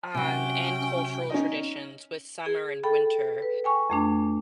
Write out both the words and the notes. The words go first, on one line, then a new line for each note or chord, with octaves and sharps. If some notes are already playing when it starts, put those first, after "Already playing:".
um, and cultural traditions with summer and winter.
C3 F#3 C#4 G5
C#4 D#4 D#5
G#4
A4 G5 B5
B4
G5 G#5 C#6
F2 A3 D4